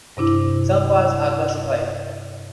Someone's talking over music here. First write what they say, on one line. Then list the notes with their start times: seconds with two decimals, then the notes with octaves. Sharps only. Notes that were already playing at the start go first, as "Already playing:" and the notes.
Some parts are classified.
0.17 G2 C3 D4 E4